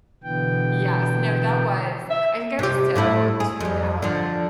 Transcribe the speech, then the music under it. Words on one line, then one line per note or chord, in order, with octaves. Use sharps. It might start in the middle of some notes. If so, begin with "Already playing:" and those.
Yes. No, that was. I think I was so tuned out
B2 D3 E3 B3 G5
E5
C3 G4
A2 A3 E4
G#4
F2 G3
D3 F3